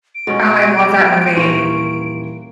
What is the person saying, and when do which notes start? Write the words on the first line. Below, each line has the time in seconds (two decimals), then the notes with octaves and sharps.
Oh, I love that movie.
0.15 D7
0.27 B2 G#3 C#4
1.36 D#1 E3 A#3 C#4 G4 C6